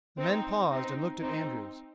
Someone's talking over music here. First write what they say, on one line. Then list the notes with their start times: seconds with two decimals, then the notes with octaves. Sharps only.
The men paused and looked at Andrews.
0.18 C4 D#4
0.71 C4 D#4
1.21 C4 D#4